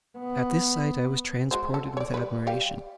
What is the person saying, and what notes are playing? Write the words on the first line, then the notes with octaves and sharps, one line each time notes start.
At this sight I was transported with admiration.
B3
G#3 F#4 C5
A4
C#5 D5
G3 B4
G3 G4 F5